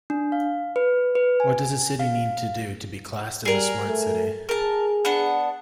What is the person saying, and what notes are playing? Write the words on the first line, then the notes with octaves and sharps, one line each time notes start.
What does a city need to do to be classed as a Smart City?
D4
F5
B4
B4
G#5
F5
G3 G#4 A#4
A3
G#4 A#4 A5
B3 D4 F#5